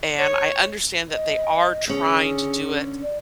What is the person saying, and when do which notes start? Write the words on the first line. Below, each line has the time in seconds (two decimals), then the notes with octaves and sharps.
and I understand that they are trying to do it
0.18 C#5
1.09 D#5
1.88 D3 C#4 G#4
3.03 D5